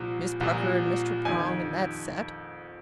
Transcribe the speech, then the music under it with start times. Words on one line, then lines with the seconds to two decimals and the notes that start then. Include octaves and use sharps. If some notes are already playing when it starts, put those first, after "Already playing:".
"Miss Pucker, and Mr. Prong, and that set."
Already playing: C2 A#2 F3
0.41 C2 A#2 F3
1.25 F2 D#3 G#5